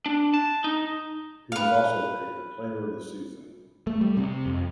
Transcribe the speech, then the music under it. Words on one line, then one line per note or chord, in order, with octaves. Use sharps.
He was also named player of the season.
D4
A5
D#4
B4 F5
A3
G3
C3
F2